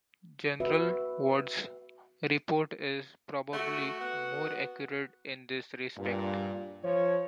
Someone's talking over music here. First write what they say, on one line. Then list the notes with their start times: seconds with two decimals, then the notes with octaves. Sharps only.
General Ward's report is probably more accurate in this respect.
0.60 F#4 B4 E5
3.53 A3 F#4
4.00 B3 F#5
5.98 G2 A#2
6.83 F3 C#5